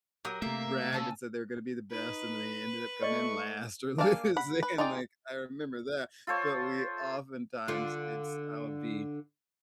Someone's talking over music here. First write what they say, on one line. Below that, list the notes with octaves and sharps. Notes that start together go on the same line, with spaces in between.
bragged and said they were gonna be the best, and then they ended up coming in last or losing, and, like, I remember that. But we, oftentimes it's I'll be
F#3 G4 A#4 D#6
C3 A3 A#3 E5
C#3 G#5 A5 E6
D#4 B4
A3 D5 D#5 C#6
A#3 D4 D5 F5 G#5
F#5 B5
B4
D#4 F4 G#4 D5 G5
F4 A4 C5 C#5
D3 F4